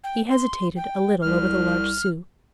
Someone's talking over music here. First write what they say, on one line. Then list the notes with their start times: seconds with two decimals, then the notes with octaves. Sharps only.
He hesitated a little over the large sous.
0.04 G5
0.31 C6
0.76 G5
1.22 C2 F6